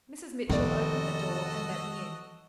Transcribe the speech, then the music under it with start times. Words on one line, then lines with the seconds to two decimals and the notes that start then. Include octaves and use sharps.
Mrs. Mitchell opened the door, and led me in.
0.50 F1 D#3 B3 F#4 A4 D5 D#5